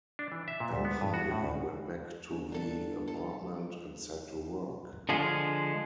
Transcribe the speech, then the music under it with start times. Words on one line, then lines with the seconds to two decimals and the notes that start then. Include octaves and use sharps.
Anthony went back to the apartment and set to work.
0.19 D4
0.32 E3
0.48 E5
0.60 A#2
0.72 D2
0.85 B3
1.01 G2
1.14 F#4
1.31 A2
1.43 D2
2.31 G1
2.52 D4 A4
3.08 A4
5.09 D3 F3 G#3 G#4